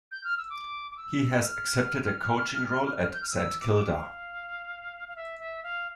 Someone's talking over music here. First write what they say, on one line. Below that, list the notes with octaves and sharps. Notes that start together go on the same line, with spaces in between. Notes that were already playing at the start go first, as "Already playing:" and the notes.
He has accepted a coaching role at Saint Kilda.
G6
F6
E6
D6
D6
E6
F6
G6
F6
E6
D6
F5
F5
E5
E5
F5